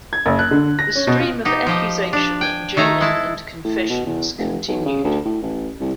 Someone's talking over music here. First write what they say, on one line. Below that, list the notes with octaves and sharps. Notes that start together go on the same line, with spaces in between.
The stream of accusation, jailing and confessions continued.
G#6
F#1
F#6
D3
A#6
C#4
B2
F4
B2 D#4 G4
F3 G4 D#5
D4
G5 G#5
D#3 A3 G#5 A#5
G#3 E4 A5
A2
B2
E2
F1
B1
C#3
D2
A2
A1
C2